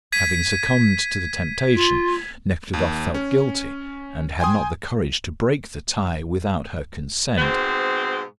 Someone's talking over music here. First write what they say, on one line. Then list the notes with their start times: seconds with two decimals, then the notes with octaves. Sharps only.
Having succumbed to the temptation, Nekhludoff felt guilty, and had not the courage to break the tie without her consent.
0.12 G#6 B6 D#7
1.74 F4
2.73 D#2
3.14 C#4
4.40 G5 G#5 C6 D#6
7.38 G#2 B2 C4